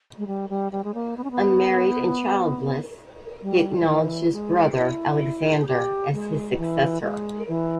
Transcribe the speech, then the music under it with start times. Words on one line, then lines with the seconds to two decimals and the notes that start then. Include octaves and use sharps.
Unmarried and childless, he acknowledged his brother Alexander as his successor.
0.18 G#3
0.27 G3
0.50 G3
0.72 G3
0.84 G#3
0.94 A#3
1.17 B3
1.24 C#4
1.31 B3
3.43 G3
3.80 G3
3.87 E3
4.32 G#3
4.72 G4
4.77 E4
5.61 G#4
5.68 G4
6.13 G#3
6.58 E3
7.02 G#3
7.48 E3